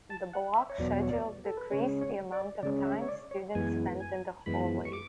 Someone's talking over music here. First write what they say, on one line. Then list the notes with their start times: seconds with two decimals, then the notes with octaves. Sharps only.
The block schedule decreased the amount of time students spent in the hallways.
0.10 A5
0.33 F#5
0.56 E5
0.70 C#5
0.78 E2 B2 F#3 B3 D5
1.02 C#5
1.10 D5
1.45 A4
1.57 B4
1.71 C#3 G#3 C#4 C#5
2.01 C#5
2.32 D5
2.63 C#3 D5
2.65 G#3 C#4
2.85 E5
3.01 C#5
3.08 D5
3.31 C#5
3.55 F#2 E3 G#3 B3 G#5
4.00 G#5
4.46 F#2 E3 G#3 B3 B5
4.85 C#6
4.93 D6